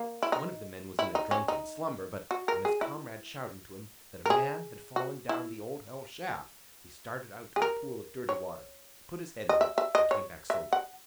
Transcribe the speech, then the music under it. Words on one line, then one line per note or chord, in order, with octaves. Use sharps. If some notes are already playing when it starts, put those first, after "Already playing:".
One of the men was in a drunken slumber, but on his comrade’s shouting to him that a man had fallen down the Old Hell Shaft, he started out to a pool of dirty water, put his head in it, and came back sober.
Already playing: A#3
E4
D#4
E4
D#4
C#4
D#4
F#4
A#4
G#4
E4
A#4
G#4
F#4
E4
G#4
A#4
C#5
D#5
E5
E5
D#5
C#5
E5
F#5